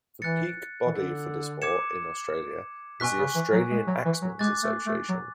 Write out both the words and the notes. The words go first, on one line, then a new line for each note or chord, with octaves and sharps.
The peak body for the sport in Australia is the Australian Axemen's Association.
E3 F#6 A6 C#7
E3
D3
D6 G#6 C#7 E7
B2 G#5 C#6 F#6 B6
C#3
E3
F#3
G#3
F#3
E3
F#3
G#3 D6 F#6 A6
A3
A3
F#3